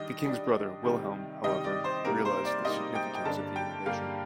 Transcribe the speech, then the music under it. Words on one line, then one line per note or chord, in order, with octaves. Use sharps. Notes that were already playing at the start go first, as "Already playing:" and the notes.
The king's brother Wilhelm, however, realized the significance of the innovation.
Already playing: D#3 G3 D4 D#5
D#3 G3 D4
C3 D#3 G3
C3 D#3 G3 D#5
D5
C5
C3 G3 A#3 D#4 A#4
C5
D5
C3 G3 A#3 D#4 D#5
G5
G5
G2 D3 G3 A#3 D4 A5
G5
G2 D3 G3 A#3 D4 F5